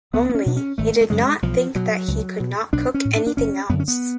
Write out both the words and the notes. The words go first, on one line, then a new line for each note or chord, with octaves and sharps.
Only, he did not think that he could not cook anything else.
C#2 B3
B3
C#4
B2 D4
C#4
G#1 A3
A3
F#2 C#3 G#3
B1 F3
B2 F#3
C#2
B2
B1 D4
C#4
A2
D4
D4
F#1 C#4
F#2 D3 B3
C#4
B3